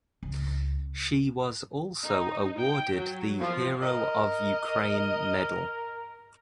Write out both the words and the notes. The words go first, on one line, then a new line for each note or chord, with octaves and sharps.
She was also awarded the Hero of Ukraine medal.
C#2
D#4
G5
F#3
F3
A#4 D#5